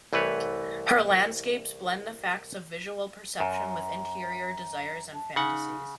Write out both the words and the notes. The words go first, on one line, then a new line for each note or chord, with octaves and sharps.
Her landscapes blend the facts of visual perception with interior desires and fantasies.
C2 E3 A3 B4 C#5
F#2 A#5
A5
C#3 D#4 F#5